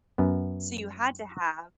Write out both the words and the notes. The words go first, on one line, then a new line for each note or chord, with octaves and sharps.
so you had to have
F#2 B3